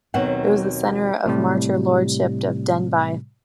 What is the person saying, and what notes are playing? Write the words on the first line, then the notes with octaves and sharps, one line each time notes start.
It was the centre of the Marcher Lordship of Denbigh.
D#2 B2 F#3 C4 F#5
A2 C3 G3